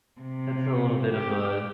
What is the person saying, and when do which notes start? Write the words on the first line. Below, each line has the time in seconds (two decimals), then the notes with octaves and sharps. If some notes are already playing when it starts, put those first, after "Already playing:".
That's a little bit of a,
0.21 C3
1.11 G4